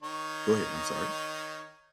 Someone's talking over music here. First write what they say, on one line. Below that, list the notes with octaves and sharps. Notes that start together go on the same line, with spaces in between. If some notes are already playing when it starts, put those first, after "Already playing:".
Go ahead, I'm sorry.
D#3 D#4 C#5